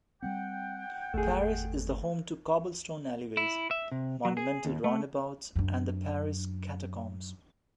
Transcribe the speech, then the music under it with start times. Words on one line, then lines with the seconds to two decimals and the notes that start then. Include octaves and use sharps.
Paris is the home to cobblestone alleyways, monumental roundabouts, and the Paris Catacombs.
0.22 G3 A3 C4 F#5 G5
1.14 G1 E2 A3 G#4
3.37 E4
3.71 E5
3.92 C3
4.25 F#3
4.37 G#4
4.65 D#2
4.84 A3
5.56 F#2 D4